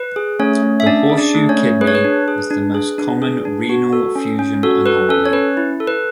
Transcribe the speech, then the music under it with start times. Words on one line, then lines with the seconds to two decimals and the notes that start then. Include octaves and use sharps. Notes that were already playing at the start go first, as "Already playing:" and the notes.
The 'horseshoe kidney' is the most common renal fusion anomaly.
Already playing: B4
0.16 G#4
0.39 A3 C#4 C#5
0.63 A3
0.80 E5
0.86 C#4 D4 D5
1.10 G#4
1.17 D4 D5
1.34 A3
1.49 C#4 C#5
1.57 A3
1.81 G#4 B4
1.87 C#5
1.95 B4
2.05 D4
2.28 G#4
2.51 D4
2.74 G#4
2.98 D4
3.22 G#4
3.45 D4
3.69 F#4
3.93 A4
4.15 C#4
4.39 C#4
4.63 F#4 A4
4.86 A4 B4
5.09 C#4 A4
5.26 C#5
5.33 C#4 B4
5.57 E4
5.80 A4
5.87 B4